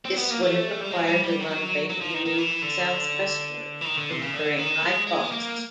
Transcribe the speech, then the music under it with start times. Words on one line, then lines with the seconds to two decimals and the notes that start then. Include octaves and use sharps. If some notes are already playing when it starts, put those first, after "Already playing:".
This would have required the runway to be moved southwestwards, incurring high costs.
0.06 C4
0.18 B3
0.31 A#3
0.43 A3
0.81 G3
0.91 G#3
1.01 F#3
1.08 G3
1.24 G3
1.40 F#3
1.90 F#3
2.01 F3
2.14 D#3
2.26 D#3
2.38 E3
2.62 D3
3.81 E3
3.85 D#3
3.97 D3
4.10 C3
4.22 C#3
4.34 D3
4.59 D#3
4.82 G#3
5.07 G#3
5.24 B3
5.31 A#3